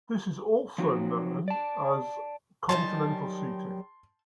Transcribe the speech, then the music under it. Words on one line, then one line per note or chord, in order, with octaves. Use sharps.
This is also known as continental seating.
F3 F#3 C4 D#4 F#4
D5 A5
D#3 F#3 G3 G#5 A5 C6